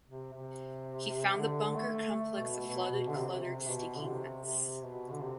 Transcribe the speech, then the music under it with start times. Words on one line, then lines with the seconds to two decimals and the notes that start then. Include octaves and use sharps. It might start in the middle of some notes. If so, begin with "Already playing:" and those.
He found the bunker complex a flooded, cluttered, stinking mess.
0.08 C3
0.33 C3
1.36 D3
1.76 A3
2.13 A3
2.39 B2
2.65 B2
2.91 B2
3.09 D3
3.16 C3
3.43 C3
3.67 B2
3.96 D3
4.06 C3
4.45 C3
4.83 B2
5.11 D3
5.22 C3